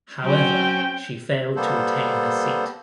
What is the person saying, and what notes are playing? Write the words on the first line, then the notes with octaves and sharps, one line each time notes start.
However, she failed to retain her seat.
F#3 C4 C#4 G5
G3 A#3 B3 A4 C5